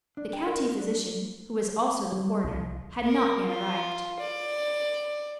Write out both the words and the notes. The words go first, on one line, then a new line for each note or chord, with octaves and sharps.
The county physician, who was also the coroner, had not yet arrived.
D4
G5
A#4
D#4
D4
G3
C2
A#4
F4
D5